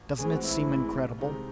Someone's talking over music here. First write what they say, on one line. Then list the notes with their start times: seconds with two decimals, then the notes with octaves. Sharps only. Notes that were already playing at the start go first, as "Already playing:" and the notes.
Doesn't it seem incredible!
Already playing: A1
0.18 A2 E3 G#3 C4 G#4
0.30 F#4
0.43 A1 E4
0.68 A2 E3 G#3 C4
0.94 C2
1.18 C3 D#3 G#3 D#4